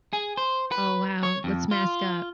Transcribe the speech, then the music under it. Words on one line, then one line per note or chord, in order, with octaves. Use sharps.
Oh, wow. Let's mask up.
G#4
C5
B4
C#5
F2
F4